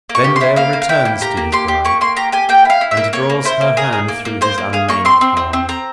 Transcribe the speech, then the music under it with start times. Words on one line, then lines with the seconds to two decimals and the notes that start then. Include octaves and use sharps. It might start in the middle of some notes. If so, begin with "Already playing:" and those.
Vendale returns to his bride, and draws her hand through his unmainied arm.
0.09 A#3
0.15 C#6
0.24 G4
0.36 C6
0.41 E4
0.56 A#3 F5
0.73 A#3
0.82 F5
0.89 E4 G5
1.05 A#3
1.21 G4 A#5
1.37 A#3
1.52 G4 C6
1.68 G4
1.85 A#3 C#6
2.01 A#3 C6
2.17 G4 A#5
2.32 G4 G#5
2.49 A#3 G5
2.65 E4 F5
2.81 E4
2.91 E5
2.97 A#3
3.13 A#3 C#5
3.30 A#3
3.45 E4 C5
3.61 A#3
3.77 G#4 A#4
3.93 G#4
4.08 A#3
4.25 A#3
4.41 A#3 C5
4.58 A#3
4.73 G#4 F5
4.89 A#3 C#6
5.05 C4 C6
5.21 C4
5.37 C4
5.53 C4
5.69 C4 A#5